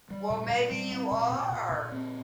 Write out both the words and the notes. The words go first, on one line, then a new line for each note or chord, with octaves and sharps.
Well, maybe you are.
G3
A#2
A#2
G3
C4
A#2
A#2
A#2
A#2
C4